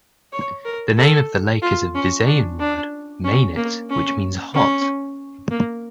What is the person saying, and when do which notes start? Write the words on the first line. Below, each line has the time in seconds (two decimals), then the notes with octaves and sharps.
The name of the lake is a Visayan word "mainit", which means "hot".
0.32 C#5
0.65 A#4
0.97 A4
1.62 F4
1.95 C#4
2.26 D4
2.59 D4
3.24 C#4
3.56 A#3
3.89 C#4
4.54 C#4
5.51 A#3